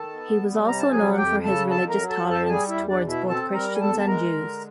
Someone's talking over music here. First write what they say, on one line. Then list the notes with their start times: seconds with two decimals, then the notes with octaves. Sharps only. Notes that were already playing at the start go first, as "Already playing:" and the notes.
He was also known for his religious tolerance, towards both Christians and Jews.
Already playing: D#3 A4 A5
0.13 B3
0.38 G3
0.66 C3 A#5
0.79 A5
0.91 F#3 G#4 G#5
1.12 F#5
1.17 F2 G4 G5
1.44 C#3 A4 A5
1.70 F2 A4 A5
1.89 A#4 A#5
1.97 F#3
2.09 A4 A5
2.23 F2
2.29 A4 A5
2.45 A5
2.49 G3 G#4 G#5
2.68 E4 E5
2.75 E2
2.88 D4 D5
3.02 B2
3.08 E4 E5
3.29 C4 A4 A5
3.54 G3 A#4 A#5
3.75 G#5
3.81 E2 A4 A5
3.99 A5
4.07 G#3 A#4 A#5
4.33 D3